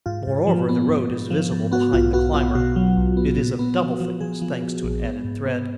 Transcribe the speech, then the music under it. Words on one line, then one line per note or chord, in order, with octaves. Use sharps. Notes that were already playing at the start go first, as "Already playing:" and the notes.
Moreover, the road is visible behind the climber, it is of double thickness, thanks to an added thread.
G#2 F4
G#2
F3
B3
G#2
G#2
F3
G#2
B3 F#4
B1 F4
B3 F#4
B3 F4
B2 F#4
F#3
B1
B3
A#2
B3
F3
F3
F3 G#4
F3
F3
A#1
B3
G#2
B3